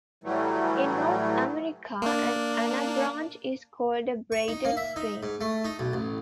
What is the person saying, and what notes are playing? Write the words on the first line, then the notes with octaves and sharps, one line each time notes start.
In North America an anabranch is called a "braided stream".
A2 E3 F#3 G3 A3
A#3 D4
C#6
D#4
A#3
E5
D#4
G#2
A3
D#4
B1
A1